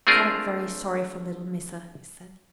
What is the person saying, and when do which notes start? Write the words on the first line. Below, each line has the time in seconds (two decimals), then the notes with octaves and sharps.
"Kadok very sorry for little Missa," he said.
0.07 A3 C4 D4 F4 G#4 A#4